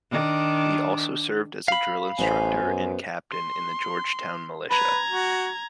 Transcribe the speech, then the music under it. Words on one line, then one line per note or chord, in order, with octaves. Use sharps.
He also served as a drill instructor and captain in the Georgetown militia.
D#3 D4
F5 B5
A1 B3 C5 G#5
F#2
C6
B4 A#5 G#6
F#4